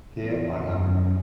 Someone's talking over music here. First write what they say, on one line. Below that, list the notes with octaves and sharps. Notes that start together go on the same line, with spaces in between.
Here I am.
E2
F#2